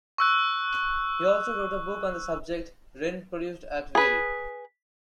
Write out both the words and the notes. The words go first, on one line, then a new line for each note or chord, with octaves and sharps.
He also wrote a book on the subject, "Rain Produced At Will".
C#6 E6 F#6
G#4 B4